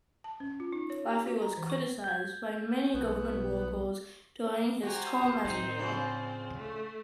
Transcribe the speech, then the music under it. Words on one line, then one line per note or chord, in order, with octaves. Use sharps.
Laffey was criticized by many government workers during his term as mayor.
A5
C#4
F4
D#4
C#5
G4
F#4
A#5
E3
C#6
G6 G#6
B1 B3
F#4 G4 C5 G#5 A#5
A2 C4 D#4
C#3 F3 C4 D4
A3